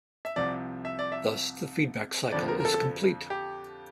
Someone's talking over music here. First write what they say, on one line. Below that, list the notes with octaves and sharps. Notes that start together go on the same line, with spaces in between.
Thus the feedback cycle is complete.
E5
C2 C3 F3 D5
E5
D5
E5
F2 D3 F3 D5
A#4
A#4
A4
G4